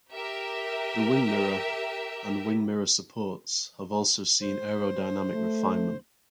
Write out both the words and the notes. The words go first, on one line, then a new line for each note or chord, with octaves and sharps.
The wing mirror and wing mirror supports have also seen aerodynamic refinement.
G4 A#4 E5
C5
A3